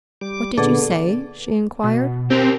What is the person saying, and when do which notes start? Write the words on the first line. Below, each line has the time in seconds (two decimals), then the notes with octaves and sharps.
"What did you say?" she inquired.
0.21 G3 D6
0.58 A#2 D3 B3 G#4 A4 D5
1.84 B2
2.30 C4 G4 A#4